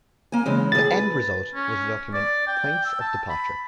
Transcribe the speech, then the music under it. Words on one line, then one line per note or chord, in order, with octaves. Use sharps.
The end result was the document "Points of Departure".
A#3 G#5
C#3 E3 G#3
A2 G#4 A6
B4
C#4
D5
G5
E6
A5
B5